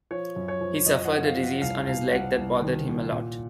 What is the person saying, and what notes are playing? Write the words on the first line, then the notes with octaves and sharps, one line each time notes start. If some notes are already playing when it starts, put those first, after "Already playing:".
He suffered a disease on his leg that bothered him a lot.
F3 C#5
F#2
C#5
F3
F#2 D#5
F#5
F3
F5
F3
F#5
C2 F5
C2 F5
C2 F#5
C2
D#3
C2
A#2